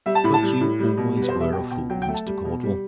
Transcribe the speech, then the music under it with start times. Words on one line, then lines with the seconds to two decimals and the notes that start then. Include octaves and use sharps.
But you always were a fool, Mr. Caudle!
0.06 G3 E5
0.15 A5
0.24 A2 B5
0.34 A5
0.43 G3
0.61 A2
0.79 G3
0.97 B2
1.16 G3
1.22 B4
1.28 C5
1.34 B2
1.41 E5
1.52 B2 G5
1.71 B2 G5
1.90 F#3 G5
2.02 G5
2.08 A3
2.14 A5
2.27 G3
2.45 B2
2.63 G3